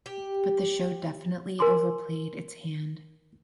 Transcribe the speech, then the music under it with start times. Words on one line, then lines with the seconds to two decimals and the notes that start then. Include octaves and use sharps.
But the show definitely overplayed its hand.
0.06 G4
1.59 A#4 G#5 C6 D6